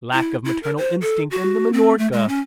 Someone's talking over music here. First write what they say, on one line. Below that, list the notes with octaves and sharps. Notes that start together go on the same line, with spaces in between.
Lack of maternal instinct in the Minorca.
E4
E4
A#4
C5
A4
F#4
C4
A3
G#3
C#4